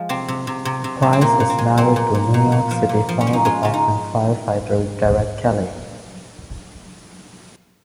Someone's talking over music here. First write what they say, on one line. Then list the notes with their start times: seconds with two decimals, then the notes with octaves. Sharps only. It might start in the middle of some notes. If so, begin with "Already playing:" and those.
Price is married to New York City Fire Department firefighter Derek Kelly.
Already playing: F3 G#3
0.09 C3 C4
0.28 C3
0.47 C3
0.65 C3
0.84 C3
1.02 C3
1.13 C4
1.21 A#2 A#3
1.40 A#2
1.50 C4
1.58 G#3
1.78 A#2 C4
1.96 A#2
2.15 A#2
2.34 A#2
2.52 A#2
2.71 F3
2.89 A#2
3.09 F3
3.21 C#4
3.27 F3
3.33 D#4
3.45 G#3 F4
3.63 C#3 F4
3.74 D#4